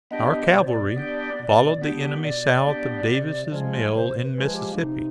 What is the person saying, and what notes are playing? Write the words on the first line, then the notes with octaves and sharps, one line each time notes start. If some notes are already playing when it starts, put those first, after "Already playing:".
Our cavalry followed the enemy south of Davis' mills in Mississippi.
B3 D4 G4 D#5
B2 D5
C5
D5
B3 D4 G4
B2
B3 D4 G4
B2 D5
B3 D4 G4
C3
F3 G#3
C3 C5
B4
F3 G#3
G4
D4
C3 D#4